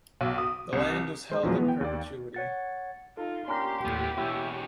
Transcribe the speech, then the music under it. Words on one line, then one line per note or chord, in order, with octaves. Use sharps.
The land was held in perpetuity.
B1
D#6
C2
G#3 C5 C6
A#1 E2 F3 F#3 G#3
E3 B3
G5
D#2 D5
C#5 F#5 A6
D#4 F4 A4
A#3 C#4 D4 G4 A#4 C6
D#2 A2 B3 E4
E2 B2 E4 C#5